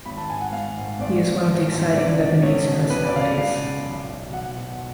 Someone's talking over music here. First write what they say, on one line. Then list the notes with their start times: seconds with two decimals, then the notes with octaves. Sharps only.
He is one of the exciting Lebanese personalities.
0.05 G#1 B5
0.17 A5
0.29 G#2 G#5
0.41 F#5
0.53 G#1 F5
0.77 G#2
1.00 G#1 D5
1.24 G#2
1.48 G#1
1.72 G#2
1.95 C#2 D5
2.18 B2
2.43 C#2 C#5
2.67 B2
2.90 C#2 B4
3.07 D5
3.13 B2 F5
3.21 D5
3.38 C#2 F5
3.62 B2
3.86 B1
4.09 B2
4.32 B1 F#5
4.57 B2